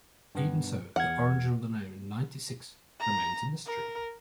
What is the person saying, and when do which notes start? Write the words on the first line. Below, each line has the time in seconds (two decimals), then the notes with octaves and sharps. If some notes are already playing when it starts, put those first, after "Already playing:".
Even so, the origin of the name "Ninety-Six" remains a mystery.
0.35 G2 B3
0.96 E2 F#5 F6 G#6
3.00 A#5
3.66 A#4